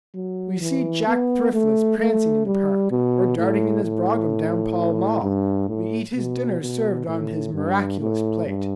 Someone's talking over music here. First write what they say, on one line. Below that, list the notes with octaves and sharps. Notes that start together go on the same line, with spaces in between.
We see Jack Thriftless prancing in the park, or darting in his brougham down Pall Mall: we eat his dinners served on his miraculous plate.
F#3
E3
B3
A3
A3
G3
B2
A2
A2
G2
A2
B2
B2
A2
G2
A2
G2